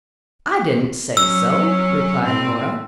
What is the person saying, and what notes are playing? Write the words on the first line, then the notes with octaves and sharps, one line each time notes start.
"I didn't say so," replied Nora.
F#3 C#4 E6
A2 C4